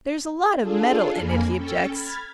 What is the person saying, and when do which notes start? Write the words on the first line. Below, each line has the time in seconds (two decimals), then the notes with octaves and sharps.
"There's a lot of metal in it," he objects.
0.61 D4 F4 G#4 A4
1.18 F2 A#3 G#5 B5
1.56 C#4 A4 G5
1.90 B5 F6 G#6 A6